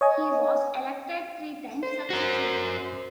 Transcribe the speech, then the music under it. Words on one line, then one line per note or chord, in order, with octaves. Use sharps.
He was elected three times successively.
C#5 D#5 G#5
C5
F#4 A#4